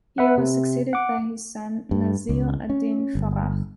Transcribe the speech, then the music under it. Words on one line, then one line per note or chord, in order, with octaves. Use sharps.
He was succeeded by his son Nasir-ad-Din Faraj.
B4 E5 F#5
C3
F#5 D6
G2
C#2
C#4
G1